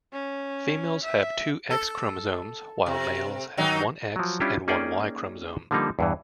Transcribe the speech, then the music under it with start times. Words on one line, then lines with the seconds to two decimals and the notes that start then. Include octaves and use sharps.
Females have two X chromosomes, while males have one X and one Y chromosome.
0.13 C#4
1.04 E5
1.70 A4
2.86 C3
3.57 D#3 F#3 D#4
4.16 F3 F#3
4.40 G3 C#4 D4 E4 F4 G4
4.68 A#3 C#4 D#4 G#4 D5 G5
5.71 D3 F3 G3 A#3 D#4
5.99 E2 G2 E3